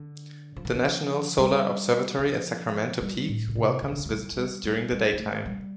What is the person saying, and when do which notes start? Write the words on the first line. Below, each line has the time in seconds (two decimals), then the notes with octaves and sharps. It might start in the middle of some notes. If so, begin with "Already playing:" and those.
The National Solar Observatory at Sacramento Peak welcomes visitors during the daytime.
Already playing: D3
0.56 F3
0.65 D3
0.74 F3
1.38 G3
2.19 F3
3.01 G3
3.28 A2
3.48 D3
3.55 C3
3.82 D3
3.91 C3
3.99 D3
4.05 F3
4.09 G3
4.32 F3
4.36 G3
4.64 G3
4.91 G3
5.13 G3
5.18 A3
5.45 G3